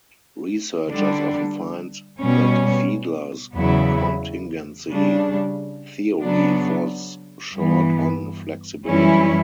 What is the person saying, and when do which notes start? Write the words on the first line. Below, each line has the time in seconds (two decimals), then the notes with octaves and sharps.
Researchers often find that Fiedler's contingency theory falls short on flexibility.
0.89 D3 G3 D4
2.22 B2 G3 C#4
3.55 E2 C#3 F#3 B3 E4
4.88 C#3 G3 D4
6.21 C#3 F#3 B3 D4
7.54 G2 E3 B3
8.88 F#2 E3 G3 C#4 E4